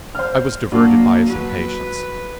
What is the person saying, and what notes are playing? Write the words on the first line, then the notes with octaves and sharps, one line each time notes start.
I was diverted by his impatience.
C5 F6
F#3 A#3 D4
F#3 B4